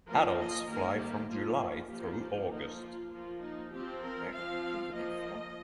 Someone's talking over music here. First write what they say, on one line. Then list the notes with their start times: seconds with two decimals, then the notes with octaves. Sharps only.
Adults fly from July through August.
0.08 F3 A#3 A#4
0.40 D#5
0.69 D#3 G3 A#3 A#4
1.00 G4
1.30 F3 A#3 F4
1.61 F4
1.92 F3 A#3 G4
2.52 F3 A#3 D#4
2.82 F4
3.12 F3 A#3 F4
3.43 D#4
3.73 F3 C4 G4
4.04 A#4
4.34 F3 C4 F5
4.94 F3 A#3 D#5